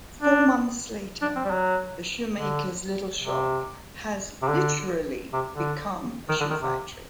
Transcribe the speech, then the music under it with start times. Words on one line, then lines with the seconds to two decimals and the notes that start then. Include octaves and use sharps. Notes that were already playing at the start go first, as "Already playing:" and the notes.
Four months later, the shoemaker's little shop has literally become a shoe factory.
0.22 D4
1.22 D4
1.36 C4
1.45 G3
1.51 F#3
2.36 D3
3.20 C3
4.42 C3
4.48 D3
5.33 C3
5.54 D3
6.29 D#3
6.40 D3
6.50 D#3
6.61 C3